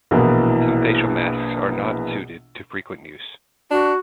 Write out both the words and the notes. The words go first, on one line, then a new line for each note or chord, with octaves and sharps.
Some facial masks are not suited to frequent use.
A#1 B2 E3 A#3 B3 E4
D4 F#4